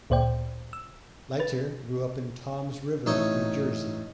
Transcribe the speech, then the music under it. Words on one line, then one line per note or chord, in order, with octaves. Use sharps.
Leiter grew up in Toms River, New Jersey.
D2 A#2 C5 D5 G5
E6
B4 A6
A1 A3 D#4 C#5